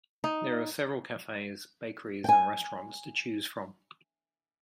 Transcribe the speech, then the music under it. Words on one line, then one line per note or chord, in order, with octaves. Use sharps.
There are several cafes, bakeries, and restaurants to choose from.
D#4
G5 G#5